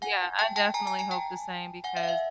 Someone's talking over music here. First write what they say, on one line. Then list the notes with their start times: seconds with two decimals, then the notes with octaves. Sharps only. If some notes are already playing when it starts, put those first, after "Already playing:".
Yeah, I definitely hope the same, because
0.02 F#5 G#5
0.39 G5 A5
0.56 G5 A5
0.74 G#5 A#5
0.87 G#5 A#5
0.99 G#5 A#5
1.11 G5 A5
1.84 F#5 G#5
1.97 E5 F#5
2.03 F5
2.07 E5 F#5